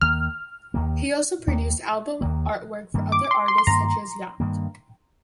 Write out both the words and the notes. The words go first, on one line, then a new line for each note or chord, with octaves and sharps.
He also produced album artwork for other artists such as Yacht.
D#2 D#3 A#3 F6
D#2 D#3 A#3
D#2 D#3 A#3
D#2 D#3 A#3
G2 D#3 A#3
D6
D6
C6
C6
C6
G2 D#3 A#3 A#5
G2 D#3 A#3